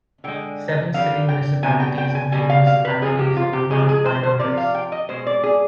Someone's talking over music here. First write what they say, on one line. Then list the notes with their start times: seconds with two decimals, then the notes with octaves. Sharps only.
Seven city municipalities and three municipalities are marked by numbers.
0.24 D3 G#3 G5
0.94 D3 G3 F5
1.29 G5
1.63 B2 G3 G#5
1.80 G5
1.98 G5
2.15 G#5
2.32 B2 G3 G#5
2.50 F5
2.67 F5
2.85 B4
3.02 C3 F3 G#3 G#4
3.19 G4
3.37 F4
3.53 G4
3.71 C3 F3 G#3 G#4
3.89 G#4
4.06 C5
4.23 C5
4.40 C3 F3 D5
4.57 F5
4.75 G5
4.92 D#5
5.09 B2 G#3 C5
5.27 D5
5.43 G#4